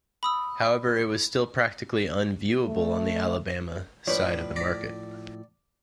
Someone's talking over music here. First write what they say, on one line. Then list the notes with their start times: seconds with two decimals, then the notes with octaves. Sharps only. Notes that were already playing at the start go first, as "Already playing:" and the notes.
However, it was still practically unviewable on the Alabama side of the market.
0.23 B5 D#6 E6
2.67 A3
4.07 A2 F3 D4 B4 C#5
4.56 D5 A#6 B6